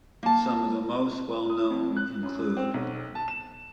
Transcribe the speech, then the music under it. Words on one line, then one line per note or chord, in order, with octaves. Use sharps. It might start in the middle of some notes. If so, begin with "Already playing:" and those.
Some of the most well known include.
A#3 A5
D#6
F2
F#6
F#2
C4
B1
A5
E7